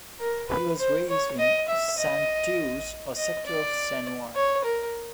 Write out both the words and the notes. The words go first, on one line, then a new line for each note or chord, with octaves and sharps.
He was raised in Santurce, a sector of San Juan.
A#4
B4
C5
C#5
D#5
E5
D#5
D#5
D5
C#5
A#4